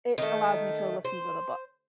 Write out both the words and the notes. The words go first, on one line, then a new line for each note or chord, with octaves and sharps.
it allows me to listen to the book
D#3 A3
C5